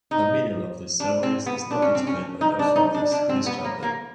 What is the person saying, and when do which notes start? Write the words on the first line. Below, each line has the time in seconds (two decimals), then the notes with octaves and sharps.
The meaning of these ceremonies is not explained by the authorities who describe them.
0.11 D#4
1.00 D4
1.23 C4
1.46 B3
1.71 D4
1.82 C#4
1.95 C4
2.07 C#4
2.41 D#4
2.59 D4
2.76 D#4
2.94 D4
3.11 D4
3.29 C4
3.46 B3
3.64 A#3
3.83 A#3